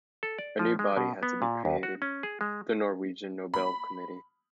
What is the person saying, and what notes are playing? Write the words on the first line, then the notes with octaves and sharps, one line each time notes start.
A new body had to be created-the Norwegian Nobel Committee.
A4
D5
F3
G#3
B2
B3
A#2
D#2
F#4
C#4
G#4
G#3
B5